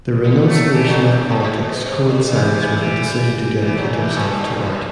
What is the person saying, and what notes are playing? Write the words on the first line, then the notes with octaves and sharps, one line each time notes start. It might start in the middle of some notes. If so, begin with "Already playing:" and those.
The renunciation of politics coincides with the decision to dedicate himself to art.
E3 G3
F#3 A3
E3 G3
D3 F#3
C3 E3
A2
A2
G2
A2
B2
B2
C3
D3
C3 E3
C3 E3
E3 G3
E3 G3
D3 F#3
C3 E3
A2
G2
A2